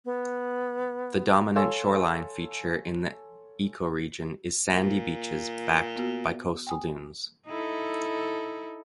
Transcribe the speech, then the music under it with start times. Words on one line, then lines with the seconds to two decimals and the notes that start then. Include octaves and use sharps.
The dominant shoreline feature in the ecoregion is sandy beaches backed by coastal dunes.
0.05 B3
1.55 A4 C#5 F5 G#5 C6 E6
4.70 A#2
5.96 B3 F#4
6.67 G5 G#5 D#6
7.47 D#4 E4 A4